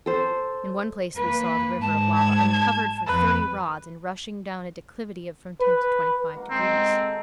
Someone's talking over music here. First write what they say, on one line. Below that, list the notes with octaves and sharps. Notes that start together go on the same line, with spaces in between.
In one place we saw the river of lava uncovered for thirty rods and rushing down a declivity of from ten to twenty-five degrees.
A4 C5
A#3 B4
G#2 A5
G#6
F2 B4
B4
A#3 F#4 F5
D#3 G#3 C4
A4 D#5